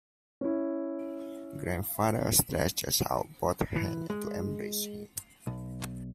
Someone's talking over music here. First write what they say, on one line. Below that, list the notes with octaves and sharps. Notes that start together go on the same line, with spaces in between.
Grandfather stretches out both hands to embrace him.
C#4 E4
E3
G#3
B1